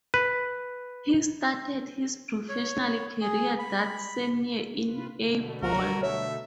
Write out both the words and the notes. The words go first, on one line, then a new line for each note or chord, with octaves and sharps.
He started his professional career that same year in A-ball.
B4
C#5
G#4
B5
C3 F4 B4
B2 D3 A3
C#2 F#4 A#4 A#5
C#5 E5